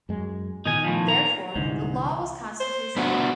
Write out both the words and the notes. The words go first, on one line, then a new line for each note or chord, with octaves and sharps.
Therefore, the law was constitutional.
F#2 G#3
A#2 D#3 B3 D#4 G#5
A2 F3
A#5
C2 G#2 D3 E3
C5
B3 D4 F#4